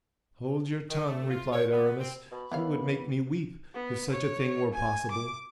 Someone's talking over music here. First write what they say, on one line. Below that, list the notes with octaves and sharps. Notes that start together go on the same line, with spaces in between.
"Hold your tongue," replied Aramis; "you would make me weep, if such a thing were possible."
D#3
A3
F4
C#5
B3
C4
B2 B5
D#2 E3 B3 E4 C#5 F5
B3
C#5
G#5
D6